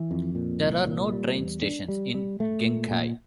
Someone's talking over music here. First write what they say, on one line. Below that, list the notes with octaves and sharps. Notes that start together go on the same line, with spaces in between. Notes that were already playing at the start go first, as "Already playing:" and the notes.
There are no train stations in Genkai.
Already playing: E3
F2
A#2
C2
A#2
G3
E2
D4
G3
G3
A3
A#2
A#2